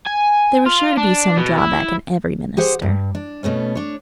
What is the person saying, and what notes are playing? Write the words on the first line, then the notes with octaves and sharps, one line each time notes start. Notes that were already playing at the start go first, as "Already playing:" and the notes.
There was sure to be some drawback in every minister.
G#5
F4
D4
B2
E4
G4 G#4 C5 F#5
G2
D4
B2 A3 B3 C#4
D4 C#5